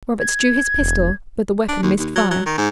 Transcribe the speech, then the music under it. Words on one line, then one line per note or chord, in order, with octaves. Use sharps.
Roberts drew his pistol but the weapon missed fire.
G#6
E1
D4
D#2
D#2
F#3
F#3
D#3
G#2